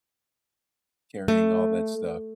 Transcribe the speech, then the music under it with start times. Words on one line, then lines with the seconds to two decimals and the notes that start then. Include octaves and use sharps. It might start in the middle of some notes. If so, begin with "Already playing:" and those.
carrying all that stuff
1.28 A3